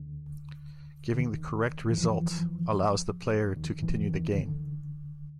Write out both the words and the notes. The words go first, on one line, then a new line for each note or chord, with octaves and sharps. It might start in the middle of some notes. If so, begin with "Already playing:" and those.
Giving the correct result allows the player to continue the game.
Already playing: D2 D3
D3
D#2 D#3
E3
F2 F3
D#2 D#3
E2 E3
D#2 D#3
D2 D3